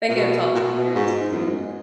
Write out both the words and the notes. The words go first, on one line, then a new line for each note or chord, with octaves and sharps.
I think it's all better to
A#2
B2 F#4
A#2
B2
B2
G#2 F#4
F4
D#4
F#2 B3
G#3